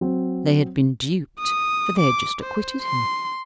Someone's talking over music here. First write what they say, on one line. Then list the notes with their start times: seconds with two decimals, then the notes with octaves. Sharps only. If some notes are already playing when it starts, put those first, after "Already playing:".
They had been duped, for they had just acquitted him.
0.01 F#3 C4
1.40 D#6
1.99 D6
2.43 C5
2.82 C6